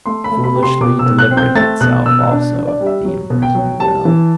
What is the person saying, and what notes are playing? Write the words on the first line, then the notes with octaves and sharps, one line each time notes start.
Foolishly delivereth itself also the imprisoned Will.
A3 C6
B5
A3
B5
C3
C6
B2 D6
E6
B2
F#6
C4
G6
A3 A6
B2 F#6
B2 E6
D4
D4
D5
G3
E5
F#3
B2
G5
F#3
G3 A5
E3